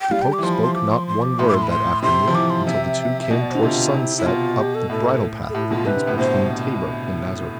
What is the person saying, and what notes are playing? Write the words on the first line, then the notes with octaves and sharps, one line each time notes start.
The Pope spoke not one word that afternoon, until the two came towards sunset up the bridle-path that leads between Thabor and Nazareth.
G5
G3 F5
G5
D6
E3
F3 C6
B5
C6
D6
C6
C6
D6
A2 C6
D6
C6
B5
C6
C3 C6
F3
E3 D6
C6
C3 E5
E5
B2 D5
E5
D5
D3 C5
C3 F4
E4
E4
B2 F4
G4
A4
A2 A4
A4
A2 G4
E4
B2 F4
C3 B4
D3
A2
B2 C5